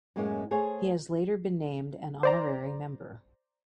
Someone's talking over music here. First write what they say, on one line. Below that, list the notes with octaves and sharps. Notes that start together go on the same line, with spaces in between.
He has later been named an honorary member.
F#2 A2 G#3 A#3 C#4
A3 G#4 C5 C#5 F5 G#5
C5 D5 A#5